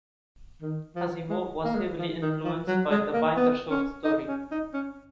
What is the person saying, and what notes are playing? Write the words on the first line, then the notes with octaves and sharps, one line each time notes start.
Asimov was heavily influenced by the Binder short story.
D#3
F3
G#3
A#3
G#3
F3
D#3
F3
F#3
G#3
A#3
B3
C#4
D#4
C#4
D#4
C#4